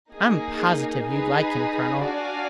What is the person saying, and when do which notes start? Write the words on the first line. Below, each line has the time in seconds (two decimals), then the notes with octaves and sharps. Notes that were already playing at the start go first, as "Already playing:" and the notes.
"I'm positive you'd like him, colonel."
0.12 A#3 D#4 G#4
1.07 D#4 G#4 B4
2.01 D4 F#4 D5 F5 G#5